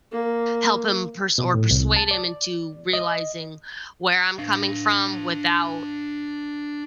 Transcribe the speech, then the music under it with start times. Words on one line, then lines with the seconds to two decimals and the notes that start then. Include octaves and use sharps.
help him pers or persuade him into realizing where I'm coming from without
0.12 A#3
1.38 B2
1.54 A2
1.71 C2
1.96 A5
2.11 D5
2.93 D#5
4.39 D4 F5